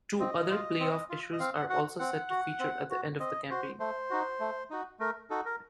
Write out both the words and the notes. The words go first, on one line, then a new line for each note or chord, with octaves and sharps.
Two-other play-off issues are also set to feature at the end of the campaign.
C4 D#5
F4
C4
F4
D#5
C4 F5
F#5
F#4 F#5
C4 F#5
F#4
C4
F#4
C4 D#5
F#4 C5
A3 C5
D#4 F#4
A3
D#4 F#4
A3 A#4
D#4 F#4 A4
A#4